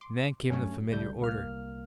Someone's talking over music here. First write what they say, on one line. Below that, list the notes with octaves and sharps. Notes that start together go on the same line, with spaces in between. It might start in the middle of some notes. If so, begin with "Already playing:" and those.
Then came the familiar order.
C6 D6
G2 F#3 A3 C#4 C#5
C2 D3 G3 A3 G6
C2 A#3 F6